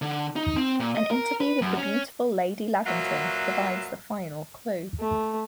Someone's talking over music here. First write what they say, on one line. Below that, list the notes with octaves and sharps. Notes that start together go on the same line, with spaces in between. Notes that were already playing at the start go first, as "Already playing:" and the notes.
An interview with the beautiful Lady Lavington provides the final clue.
D3
D#4
C4
A#2
D#5
A#4
B4
F#2
C#4
A#2 F#3 F#4 B4 E5 F5
A3